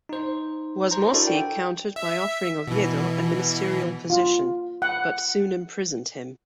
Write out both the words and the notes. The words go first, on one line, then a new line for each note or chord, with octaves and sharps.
Wasmosy countered by offering Oviedo a ministerial position, but soon imprisoned him.
D#4 C5
C5 A#5
D4 E4 F#4 A4 A#4 D5
G5
E5
B2 E3
F4
F#5